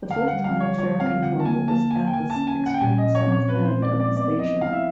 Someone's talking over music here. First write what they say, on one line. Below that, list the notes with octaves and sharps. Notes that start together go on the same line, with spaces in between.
The full-time fare control is at the extreme south end of the station.
D3 F5
G3 F#5
F5
G3
C#5
F4 C#5
C4 F5
D3 F#5
A5
A#3 G#5
A#3 A5
A#3 G#5
G5
A#3 G#5
A5
C#4
G#5
C#4
F#5
G5
A#2 G#5
D#5
F3
C#5
C4
C#5
C4 B4
C5
G#3
D5
C4
D5
B3 D5
F3 D#5
E4 F5
E5